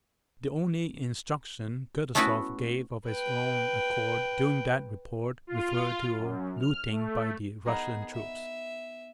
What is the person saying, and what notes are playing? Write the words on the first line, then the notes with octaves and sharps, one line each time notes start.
The only instruction Kutuzov gave of his own accord during that report referred to looting by the Russian troops.
A3 B3 C#4 E4 F#4 B4
B4 G5
F4
F#2
F6
A3
B3 D#4 G#4 A#4
E5